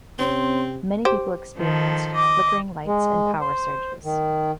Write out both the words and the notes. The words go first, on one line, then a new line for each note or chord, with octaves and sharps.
Many people experienced flickering lights and power surges.
C3 C4 C#4 C6
G4 C5
D#3 F3 A4
D#5 D6
G#3
C5
D#3